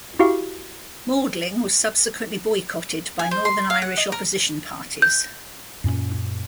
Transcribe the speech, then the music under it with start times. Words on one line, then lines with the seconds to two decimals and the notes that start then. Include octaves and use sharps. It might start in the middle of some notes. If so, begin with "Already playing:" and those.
Maudling was subsequently boycotted by Northern Irish opposition parties.
0.19 E4 F#4 G4 F5
3.19 G#5
3.31 C5
3.45 C6
3.70 F5
3.82 F#5
3.97 D#5
4.12 A#4
5.02 G6
5.84 F#2 A#2 C#4